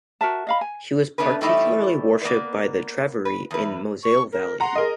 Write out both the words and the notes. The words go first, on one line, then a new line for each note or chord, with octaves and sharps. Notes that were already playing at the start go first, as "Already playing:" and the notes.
She was particularly worshipped by the Treveri in the Moselle Valley.
F#4 A#4 E5 A5
D#5 F5 B5
G#5
A3 B3 C#4 D4 B4
E3 G3 A3 C4 D#4 E4
A#3 B3 B4 D5
B4
E2 B4
C#6
A#4
F#5 A#5 C6
G#4 A#4 D#5